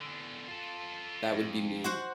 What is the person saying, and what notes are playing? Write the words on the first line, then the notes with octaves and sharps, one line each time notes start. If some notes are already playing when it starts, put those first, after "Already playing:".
That would be mean.
E2 D3
F4 A4
F2
F#4 C5 F#5